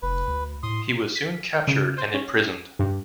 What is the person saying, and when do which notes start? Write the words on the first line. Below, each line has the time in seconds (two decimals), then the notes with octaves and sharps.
He was soon captured and imprisoned.
0.02 F1 B4
0.28 D2
0.63 A2 C6 D#6
1.15 B6
1.67 C#3
1.98 C5
2.14 C#4
2.79 G2